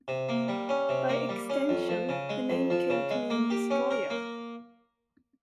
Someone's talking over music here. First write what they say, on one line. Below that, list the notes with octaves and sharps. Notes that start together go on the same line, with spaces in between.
By extension, the name came to mean 'Destroyer.
C3
A#3
G3
C#4
C3
A#3
G3
C#4
F2
F3
C#3
G#3
F2
F3
C#3
G#3
A#3
G4
C#4
A#4
A#3